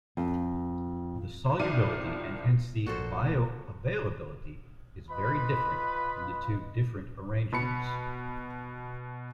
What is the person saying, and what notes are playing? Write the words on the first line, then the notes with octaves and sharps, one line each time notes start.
The solubility and hence the bioavailability is very different in the two different arrangements.
F2
C2 D#3 F3 D5 D#7
A#1 A#2 F#4 A4 C5
F4 B4 D#5 B5
B2 B5 C#7